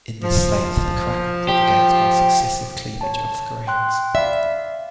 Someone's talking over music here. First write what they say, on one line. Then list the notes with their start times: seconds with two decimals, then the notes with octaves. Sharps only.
In this state, the crack will propagate by successive cleavage of the grains.
0.23 F3
1.49 G4
3.01 C#5 A5
3.67 G5 C6 F#6
4.15 D5 E5 F5 B5